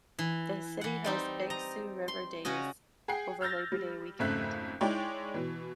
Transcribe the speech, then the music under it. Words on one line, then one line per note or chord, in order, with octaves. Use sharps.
The city hosts "Big Sioux River Days" over Labor Day Weekend.
E3
E3 F#5
G3 C4 D#4
D#5 A#5
C6
C#3 C#4 F#4 D#5
G#4 F#5 G5 C7
E6 F6 G6 A6 A#6
G3
G#1 F2 C#3 A3 E5 F#6
G#3 D#4 E4 C#5 D5 G5
B2 E3